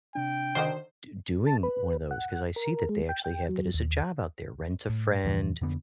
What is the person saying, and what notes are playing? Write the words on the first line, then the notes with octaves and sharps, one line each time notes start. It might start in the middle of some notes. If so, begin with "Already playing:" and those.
d doing one of those," 'cause I see that they actually have that as a job out there, rent-a-friend,
C3 D4 G5
D3 D#3 F#4 C5 D#5
A5
B4
F#5
A#4
G#3
G5
G5
F#3
D#2
A2
E2 A#2 E3 F3
F2 D3 B3